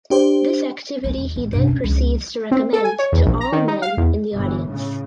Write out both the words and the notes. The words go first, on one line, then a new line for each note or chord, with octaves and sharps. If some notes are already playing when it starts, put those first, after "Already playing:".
This activity he then proceeds to recommend to all men in the audience.
D4 G4 C5
E3 A3
D#2
A1
G2 C3
C#4
C#2 F3
C4
A4
G#5
C#5
E2
A#1
A#5
D#3
D#4
F5
E2
G1 E3
A2 C#3